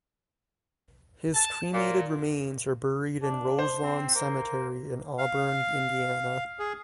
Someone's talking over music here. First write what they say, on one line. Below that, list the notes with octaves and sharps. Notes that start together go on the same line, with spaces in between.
His cremated remains are buried in Roselawn Cemetery in Auburn, Indiana.
A5
A#2
D4
C5
C4
A#3
F5
G#4